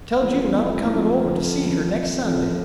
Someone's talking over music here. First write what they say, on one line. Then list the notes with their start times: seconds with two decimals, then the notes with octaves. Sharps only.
"Tell June I'm a-comin' over to see her next Sunday."
0.21 E2
0.32 F2
0.43 F2
0.48 E2
0.64 F2
0.80 A2
0.96 F2
2.25 F2